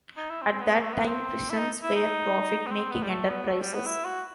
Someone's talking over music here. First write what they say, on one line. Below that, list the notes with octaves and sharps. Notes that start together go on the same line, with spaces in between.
At that time, prisons were profit-making enterprises.
D#4
E4
C4
B3
A3
B3
C4
E4
D#4
E4
D#4
B3
C4
B3
G3
A3
B3
A3
G3
B3
E4
F#4